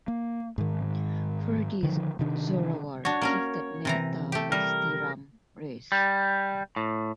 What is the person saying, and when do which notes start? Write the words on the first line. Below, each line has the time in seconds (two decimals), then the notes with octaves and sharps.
For this Zorawar gifted Mehta Basti Ram Rs.
0.08 A#3
0.58 G#2 D#3
1.83 D3 D#3 F3
2.19 C3 D#3 D4
3.05 D4 F#4 C#5
3.22 A#3 C#4 A#4
3.85 C3 E3 A#5
4.32 A3 G4
4.52 G3 A#4
5.92 G3
6.76 A2